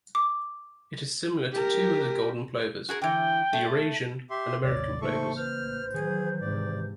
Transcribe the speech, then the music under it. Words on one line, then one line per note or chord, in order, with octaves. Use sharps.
It is similar to two other golden plovers: the Eurasian and American plovers.
D6
G4 A#4
F#4 G#4 A#4
D3 E3 G5
A3
G4 E5 C6
A1 D#2 C3 C#5 D5
C#3 A3 A#3 D#4 A4 C5 C#6
B4 C5 F6 G6
D#3 E3 F#3 G#4
G#2 C3 D5